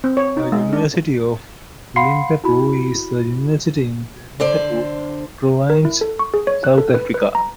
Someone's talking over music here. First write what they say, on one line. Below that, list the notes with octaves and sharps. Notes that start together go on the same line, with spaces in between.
The University of Limpopo is a university in the Limpopo Province, South Africa.
C4
C#5
D#4
G#3
D4
F5 F#5 B5 C6 C7 C#7
E4 F#4 B5
D3 C5 D5
A#4
E4
A4
C#6
G#4
C#5
F#6
A4
B4
B4
A#5